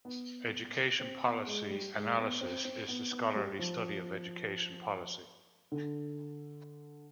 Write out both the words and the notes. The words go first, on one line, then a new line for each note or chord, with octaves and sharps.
Education policy analysis is the scholarly study of education policy.
B3
C4
B3
G#3
G3
G#3
B3
C4
C4
B3
B3
G3
F3
D3